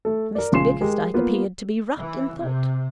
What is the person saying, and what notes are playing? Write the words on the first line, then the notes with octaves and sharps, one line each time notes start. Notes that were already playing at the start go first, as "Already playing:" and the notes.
Mr Bickersdyke appeared to be wrapped in thought.
A3 A4
A#4 D5
A#1 C#3 G#3 C6 C7 E7
G#3 G4 A#4
A#3 B3 F4
E3
C3